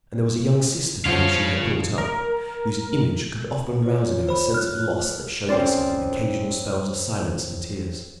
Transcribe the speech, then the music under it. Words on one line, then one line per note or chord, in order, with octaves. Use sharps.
And there was a young sister whom she had brought up, whose image could often rouse in her a sense of loss that showed itself in occasional spells of silence and tears.
D3 F3 C#5 F5
A#4
F4 C#5
C5 B5
F6 F#6
F2 C4 C#4 C5 D5